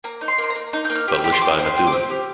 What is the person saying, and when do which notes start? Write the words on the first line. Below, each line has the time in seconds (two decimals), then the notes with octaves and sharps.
Published by Methuen.
0.04 A#3 A#5
0.21 D#4
0.28 C6
0.38 A#3
0.44 C6
0.50 A#5
0.55 A#3
0.73 D#4
0.85 A#3 G6
0.95 F6
1.08 G4
1.18 F6
1.24 G4
1.32 C6
1.41 G4 D6
1.59 C4
1.64 C6
1.76 G4
1.87 D6
1.93 C4
2.10 G4 F6